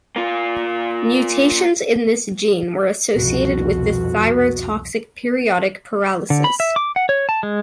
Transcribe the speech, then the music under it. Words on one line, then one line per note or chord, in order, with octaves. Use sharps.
Mutations in this gene were associated with the thyrotoxic periodic paralysis.
A#3 F4
C2 F2 B2 F#4
D3
B5
E5
D6
F#5
C#5
A5
G#3